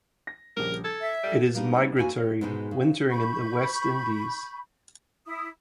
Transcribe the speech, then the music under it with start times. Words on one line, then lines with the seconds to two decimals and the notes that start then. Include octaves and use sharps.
It is migratory, wintering in the West Indies.
0.27 A#6
0.57 A#1 C#3 G3 A#4
0.84 A4 G#6
1.01 E5
1.23 G3 A4 D7
1.54 G3 A#3 B3 D4 D#4
1.97 E2 A#3 F#4 G#5
2.16 C#5
2.41 G#2 B2 G#3 D#4 G#4
2.71 C#3
3.10 B5 C#6 G6
5.27 E4 D#6